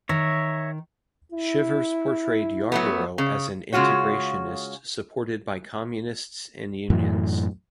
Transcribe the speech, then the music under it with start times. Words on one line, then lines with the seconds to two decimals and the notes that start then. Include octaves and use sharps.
Shivers portrayed Yarborough as an integrationist supported by communists and unions.
0.09 D#3 C#5 E5 A#5
1.32 E4
2.72 F#3 A3 B3
3.18 C#3
3.73 C#3 G#3 F4 F#4 C#5
6.90 F#2 A2 E3